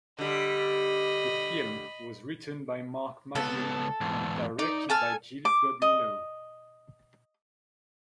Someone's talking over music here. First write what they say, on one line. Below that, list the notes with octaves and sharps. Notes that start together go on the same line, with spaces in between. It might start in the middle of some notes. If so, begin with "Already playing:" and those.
The film was written by Mark Magill and directed by Jill Godmilow.
D3 G3 D#5 B5
C#2 B3 A4
E2 G#2
D#4 D5
A4 G#5 A5 F6
D6
D#5